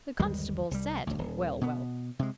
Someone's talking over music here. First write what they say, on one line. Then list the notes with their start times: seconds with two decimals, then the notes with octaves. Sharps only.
The constable said 'Well!
0.20 G1 D#2 G3 G#3
0.71 C2 G3
1.07 G1 D2
1.19 D#1
1.61 B2 B3
2.19 C3 G#3